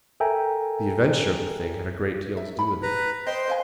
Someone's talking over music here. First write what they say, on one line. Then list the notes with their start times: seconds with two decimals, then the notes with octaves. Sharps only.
"The adventure of the thing had a great deal to do with it."
0.20 A4 A#4 E5 G5 G#5 A#5
2.37 E5
2.59 B5
2.83 B4 A#5
3.27 C5 D#5 G5 C6
3.48 B4 F5 G#5